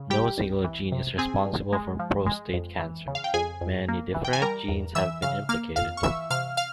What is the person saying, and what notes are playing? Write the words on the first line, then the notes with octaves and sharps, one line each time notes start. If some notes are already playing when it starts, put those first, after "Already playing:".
No single gene is responsible for prostate cancer; many different genes have been implicated.
Already playing: C#3
G3 G4 G5
C2
E3
C3
C4 G#4 G#5
G2
G#3
F3
G#3
F2
E3
C#3
F5
G5
F2 G#4 G#5
F2
A#3
E3
G5
G#5
G3 A#4 A#5
E2
E3 E5 E6
C#3 F5 F6
A#3 F5 F6
F2 F5 F6
C#6
E3 E5 E6
C3 F5 F6
F5 F6